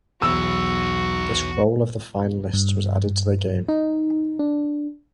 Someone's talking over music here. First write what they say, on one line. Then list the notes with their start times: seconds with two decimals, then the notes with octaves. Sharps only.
This role of the finalists was added to the game.
0.22 B1 E2 F#3 F#4 B4 E6
2.53 G2
3.68 D#4
4.39 D4